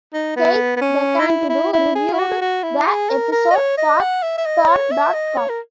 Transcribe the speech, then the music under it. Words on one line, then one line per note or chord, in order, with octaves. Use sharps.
Keith DeCandido reviewed the episode for Tor dot com.
D#4
B3
B3
C#4
D#4
E4
E4
E4
G#4
E4
F#4
F#4
E4
G#4
A#4
A#4
D#5
C#5
D#5
F#5
E5
E5
D#5
C#5
E5
D#5
C#5
A#4